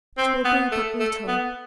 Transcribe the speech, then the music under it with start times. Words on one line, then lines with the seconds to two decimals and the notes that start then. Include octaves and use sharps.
It will be but little.'
0.18 C4
0.45 B3
0.72 A3
1.00 A3
1.28 B3